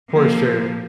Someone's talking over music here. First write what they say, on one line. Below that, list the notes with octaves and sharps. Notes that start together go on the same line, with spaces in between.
For sure.
F3 A#3